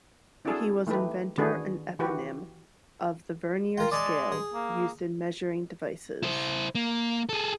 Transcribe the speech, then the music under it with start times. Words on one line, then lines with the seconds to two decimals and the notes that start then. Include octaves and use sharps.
He was inventor and eponym of the vernier scale used in measuring devices.
0.45 C4 D4 E4 F#4 G#4 A4
0.87 E3 A3 D#4 G4 B4
1.38 D#3 E3 D4 F#4 G#4 B4
1.99 E3 F#4 G4 B4
3.78 F4 A#4 G5
3.92 G#3 D5 A5
4.32 G#4
4.54 A#3
6.23 E4 C5
6.75 A#3
7.29 G#4 A4